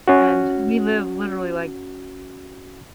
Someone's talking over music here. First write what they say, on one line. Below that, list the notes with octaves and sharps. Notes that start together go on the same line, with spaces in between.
and we live literally, like,
C#4 F#4